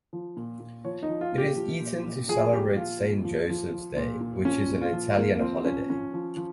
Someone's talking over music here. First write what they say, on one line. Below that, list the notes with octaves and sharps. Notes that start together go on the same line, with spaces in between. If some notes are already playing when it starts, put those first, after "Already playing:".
It is eaten to celebrate Saint Joseph's Day, which is an Italian holiday.
F3
A#2
A#2
F3 C#5
D#4
F3
F4
A#2
G4
F3
A#2
A#2
F3 G#4
A#2 G4
F3 F4
A#2
F3
F3
F3
A#2
A#2
F3 C#4
A#2
F4
F3
F3 A#3
A#3
F3 C4
F3 C#4
F3 C#4
F3
F3